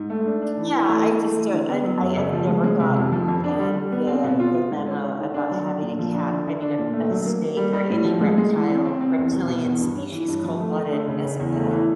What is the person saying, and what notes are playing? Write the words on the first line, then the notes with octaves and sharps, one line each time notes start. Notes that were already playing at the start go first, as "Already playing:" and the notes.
Yeah, I just don't I d I have never gotten, um, the the memo about having a cat I mean, a a snake or any reptile reptilian species, cold-blooded, as a pet.
Already playing: G#2
A3
D4
D4
E3
E3
A3
E3
A3
E3
D3
B3
F#3
F#2
C#3
F3
G#3
G#3
C3
F2
F3
F2
D4
G3
G3
B3
C4
B2
F4
F4
G#2
C#4
C#4
D#3
D4
F#3
D4
A#2
F3
D4
D3
D3
D4
A#2
A3
F#3
A#3
A#3
G3
G3
A2
F3
G#3
G#3
E3
C4
C4
C4
E2
B2
B2
E2
G2
C#4
E3
G2
F3
A3
A3
D3
C#3
C#3
E2
A3
E3